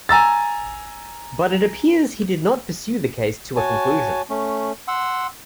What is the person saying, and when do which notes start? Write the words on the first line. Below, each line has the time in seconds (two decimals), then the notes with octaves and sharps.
But it appears he did not pursue the case to a conclusion.
0.09 G#5 A#5 E6 A6
3.56 F#4 C#5 G#5 A5
4.30 A3 C#4
4.88 F#5 C6 E6